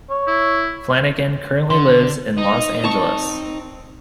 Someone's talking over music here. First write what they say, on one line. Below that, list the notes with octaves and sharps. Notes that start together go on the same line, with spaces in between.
Flanagan currently lives in Los Angeles.
C#5
E4
D3 C6
D#4 D#5
C4 A5 C#6